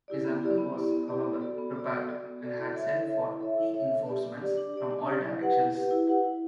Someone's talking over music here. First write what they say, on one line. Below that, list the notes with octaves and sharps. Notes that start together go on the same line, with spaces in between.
His uncle was, however, prepared and had sent for reinforcements from all directions.
E4 G4 D5
B3
E4 G4 D5
B3
E4 G4 D5
B3
E4 G4 D5
B3
F#4 A4 D5
B3
F#4 A4 D5
B3
F#4 A4 D5
B3
F#4 A4 D5
E4
A4 C#5 E5
E4
A4 C#5 E5
E4
A4 C#5 E5
E4
A4 C#5 E5
D4
G4 D5
D4
G4 D5
D4
G4 D5
D4
G4 D5
E4
G4 B4 F#5
E4
G4 B4 F#5
E4
G4 B4 F#5
E4